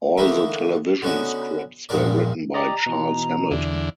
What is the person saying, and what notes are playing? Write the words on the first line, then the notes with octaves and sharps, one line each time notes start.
All the television scripts were written by Charles Hamilton.
D3 E3 A3 A#3 D#4 E4
D3 B3 C#4 D#4 F#4
A#1 E2 G2 G#3 A#4 D5
G4 D5 D#5 A#5
B2 E3
E2 D3